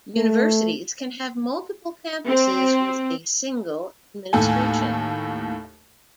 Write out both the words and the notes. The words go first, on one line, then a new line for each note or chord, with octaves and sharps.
Universities can have multiple campuses with a single administration.
A3
C4
D#2 A2 A4 G#5